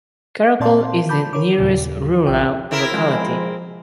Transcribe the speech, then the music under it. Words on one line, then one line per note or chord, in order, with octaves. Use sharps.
Karakol is the nearest rural locality.
A#2 C4 D5 A5 C6
A5 B5 D6 G6
A#4 C#5 D6
D#2 A#2 C#3
A#1 G5
C4 E4 A#4
F3 G#3